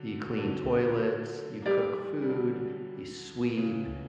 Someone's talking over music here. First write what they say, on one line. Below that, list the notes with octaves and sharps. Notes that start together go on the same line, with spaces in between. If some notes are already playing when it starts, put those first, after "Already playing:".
You clean toilets, you cook food, you sweep.
Already playing: D3 F#3
D3 F#3
A#3
E3 G3 G4 A#4 D5
G3
D3 F#3
C#3 E3